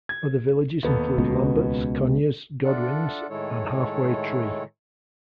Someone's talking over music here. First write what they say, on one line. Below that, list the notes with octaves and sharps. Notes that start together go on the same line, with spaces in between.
Other villages include Lamberts, Conyers, Godwin's and Half Way Tree.
G#6
D#2 B3 A4
C#2 B2
D4 F4 A4 D5 E5 F#5
A2 D#3 G#3 E4 A4 C#5